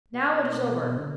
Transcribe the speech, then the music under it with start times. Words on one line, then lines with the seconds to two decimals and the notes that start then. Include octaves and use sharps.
Now, it is over!
0.13 B2
0.82 B2
0.97 D3